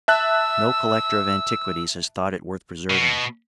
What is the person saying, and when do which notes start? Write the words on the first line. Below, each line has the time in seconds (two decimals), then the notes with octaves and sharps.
No collector of antiquities has thought it worth preserving.
0.08 E5 A5 E6 F#6
2.90 B2